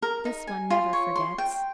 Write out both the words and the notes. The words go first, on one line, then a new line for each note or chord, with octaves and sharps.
"This one never forgets!"
A#4
D#4
G#5
F4
C#5
C6
G5